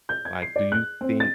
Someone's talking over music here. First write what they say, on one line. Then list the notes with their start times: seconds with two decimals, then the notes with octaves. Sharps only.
like, do you think
0.09 G6
0.25 G#6
0.42 C7
0.56 D5
0.72 F#6
1.01 C4
1.20 A6